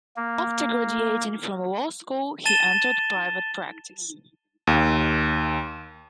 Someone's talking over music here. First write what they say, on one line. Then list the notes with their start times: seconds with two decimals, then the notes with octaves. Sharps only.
After graduating from law school, he entered private practice.
0.17 A#3
2.45 A5 A6 D#7 E7 G7
4.67 D#2